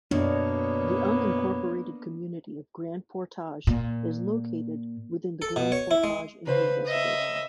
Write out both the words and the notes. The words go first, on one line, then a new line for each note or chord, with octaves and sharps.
The unincorporated community of Grand Portage is located within the Grand Portage Indian Reservation.
F#2 B2 A#3 B3 D4 C#5
A#2
A4
B2
C#5
E4
G#3
C#3 B4 C5 F5
D#5 E5